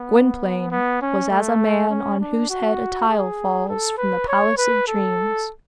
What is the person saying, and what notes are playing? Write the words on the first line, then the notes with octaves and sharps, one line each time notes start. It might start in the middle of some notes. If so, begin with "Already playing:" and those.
Gwynplaine was as a man on whose head a tile falls from the palace of dreams.
Already playing: B3
B3
C#4
A3
C#4
D4
F#4
G#4
A4
B4
C#5
B4
A4